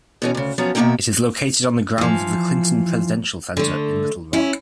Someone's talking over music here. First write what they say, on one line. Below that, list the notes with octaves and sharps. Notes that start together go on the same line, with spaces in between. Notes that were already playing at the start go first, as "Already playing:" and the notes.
It is located on the grounds of the Clinton Presidential Center in Little Rock.
B2 E3 C#4
D2 C#3
F3 F#3 B3 C#4
B2 D#3 A#3 D#4 E4 G5
E3 F3
D3 A3
C#4 E4